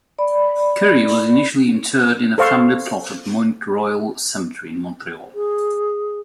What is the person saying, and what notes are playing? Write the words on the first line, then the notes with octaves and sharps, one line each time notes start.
Currie was initially interred in a family plot at Mount Royal Cemetery in Montreal.
D5 B5
A4 C5 F5 C#6
G#4